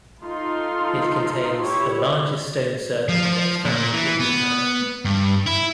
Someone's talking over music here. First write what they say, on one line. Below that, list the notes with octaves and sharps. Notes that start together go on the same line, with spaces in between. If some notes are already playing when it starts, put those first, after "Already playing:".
It contains the largest stone circle yet found in Japan.
D#4 F4 A4 C6
E4 G4 C#5
F3
F3
A#2
E3
B3
G2
E4